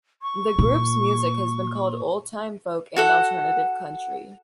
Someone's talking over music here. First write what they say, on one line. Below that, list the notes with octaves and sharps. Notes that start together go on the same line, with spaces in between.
The group's music has been called old-time, folk, and alternative country.
C#6
A#2
F#4 A4 F#5